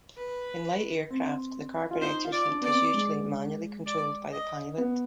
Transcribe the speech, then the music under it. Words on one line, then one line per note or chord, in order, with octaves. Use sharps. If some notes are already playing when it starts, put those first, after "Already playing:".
In light aircraft, the carburetor heat is usually manually controlled by the pilot.
B4
C4
F4
D#4 C5
F4
D5
D4
B3 D5
C4
G#3
D5
D#5
B3